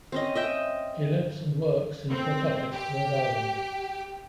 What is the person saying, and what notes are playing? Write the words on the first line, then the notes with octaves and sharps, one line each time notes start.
He lives and works in Pawtucket, Rhode Island.
C4 C#4 D#5
D#5 E5 G5
C4
G4